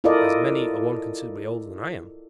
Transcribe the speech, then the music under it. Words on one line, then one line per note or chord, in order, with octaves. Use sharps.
"There's many a one considerably older than I am."
E4 F4 A4 A#4 D5 D#5